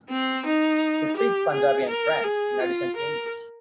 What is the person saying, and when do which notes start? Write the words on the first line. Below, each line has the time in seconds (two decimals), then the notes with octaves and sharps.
He speaks Punjabi and French, in addition to English.
0.10 C4
0.45 D#4
1.16 G4
1.52 G#4
1.89 A#4
2.24 G#4
2.60 F4
2.96 A#4